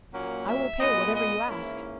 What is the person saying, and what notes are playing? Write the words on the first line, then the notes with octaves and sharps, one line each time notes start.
"I will pay whatever you ask."
A#2 F#3 A#3 C#4 F#5
E5
A#2 G#3 B3 D#5
D#5
G#2 E3 A#3 C#4 E4